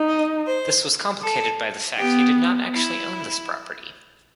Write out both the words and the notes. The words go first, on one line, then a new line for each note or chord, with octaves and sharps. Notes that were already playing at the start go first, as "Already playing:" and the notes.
This was complicated by the fact he did not actually own this property.
Already playing: D#4
D#5
C5
A4
B3 G4
E4